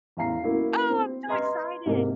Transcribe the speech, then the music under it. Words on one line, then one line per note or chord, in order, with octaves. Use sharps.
Oh, I'm so excited.
E2 A2 F5 A#5 C7
A#3 C#4 E4 F#4
C4
B4 D#5 A#5 C6 F6 G#6
G#2 C3 A#3